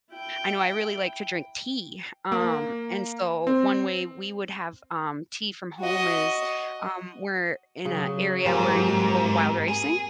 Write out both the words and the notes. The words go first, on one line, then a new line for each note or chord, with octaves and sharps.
I know I really like to drink tea. Um, and so one way we would have, um, tea from home is- um, we're in a area where you can go wild ricing-
E4 G5
A#3
C4
F#4 D#5
C#3 F#3
G#2 G3 A#3 C4
G#4